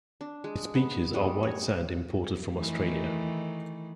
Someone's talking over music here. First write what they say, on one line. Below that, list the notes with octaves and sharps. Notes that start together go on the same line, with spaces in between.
Its beaches are white sand, imported from Australia.
D4
G#3
B3
G3 G#3
C#5
D#3 E3 A3